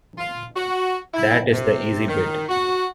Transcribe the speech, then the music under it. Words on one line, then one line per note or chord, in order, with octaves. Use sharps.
That is the easy bit.
F4
F#4
E4
C3
D#3
F#4